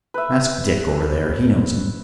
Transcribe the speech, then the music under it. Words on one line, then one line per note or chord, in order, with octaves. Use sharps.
"Ask Dick over there; he knows him."
B4 E5